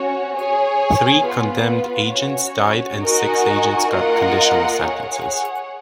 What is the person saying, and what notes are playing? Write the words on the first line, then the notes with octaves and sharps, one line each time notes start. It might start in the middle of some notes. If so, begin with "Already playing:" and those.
Three condemned agents died and six agents got conditional sentences.
Already playing: C#4 F#4 C#5
G#4 C#5 G#5
B3 F4 B4
C#4 F#4 C#5
D#4 F#4 A#4 D#5 G#5
A#3 F4 A#4 D#5 F#5
G#4 C#5 F#5